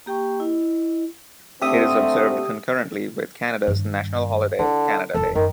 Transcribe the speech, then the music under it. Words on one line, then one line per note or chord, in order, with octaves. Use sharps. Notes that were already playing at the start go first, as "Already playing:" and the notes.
It is observed concurrently with Canada's national holiday, Canada Day.
A#3 G4 G5 C#6
E4 D#5
D3 A3 C4 G4 E5 D#6
G2 D#3
D3 E4
D#1 E2 A4
F#2 D#3